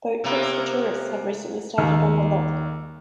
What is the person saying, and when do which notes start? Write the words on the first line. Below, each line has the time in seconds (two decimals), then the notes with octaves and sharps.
Boat trips for tourists have recently started on the loch.
0.24 C3 A#3 B3
1.78 D#2